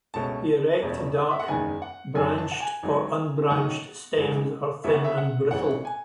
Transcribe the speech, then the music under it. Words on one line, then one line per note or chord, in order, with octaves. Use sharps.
The erect, dark, branched or unbranched stems are thin and brittle.
C#2 B2 A3 C#4 A5
E1 E2 B2 A3 C#4
E5
F#5
F#1 E2 D#3 G#3 G#5
F#5
F#2 D#3 F#3 C#4 G#5
A5
F#5
G#5
G#1 G#2 F#3 C#4
D#2 D#3 F#3 A3 C#4 F#5
A1 G#2 E3 G#3
D#2 C#3 E3 B3 E5
F#5
E5
F#5
A1 G#2 E3 G#3 C#4 F#5
G#5